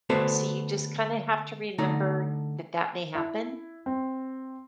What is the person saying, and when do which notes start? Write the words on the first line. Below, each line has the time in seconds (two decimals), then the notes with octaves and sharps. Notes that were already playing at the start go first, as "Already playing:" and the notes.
so you just kinda have to remember that that may happen
0.10 D3 A3 B3 F#4 A4 C5
1.78 D3 A3 D#4
3.15 E4
3.86 C4